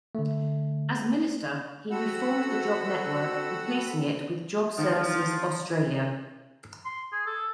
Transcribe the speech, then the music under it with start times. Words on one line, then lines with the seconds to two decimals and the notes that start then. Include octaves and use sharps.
As Minister he reformed the Job Network, replacing it with Job Services Australia.
0.15 D3 A3
1.91 C4 F#4 A4 F#5 B5 E6
4.78 D#3 F3
6.85 C6
7.12 G#4
7.26 A4